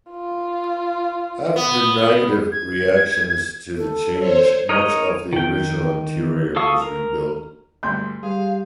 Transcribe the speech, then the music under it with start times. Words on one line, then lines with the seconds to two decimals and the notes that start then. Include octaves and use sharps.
After negative reactions to the change, much of the original interior was rebuilt.
0.11 F4
1.56 B3
2.52 G#6
3.77 A4
4.17 C5 C#5
4.69 D#4 A#4 C#5 D#5 A#5
5.33 D#3 G5
6.56 A4 F5 C#6 D#6
6.82 A#4
7.83 D2 G2 C6 G6
8.23 G3 G#4 F5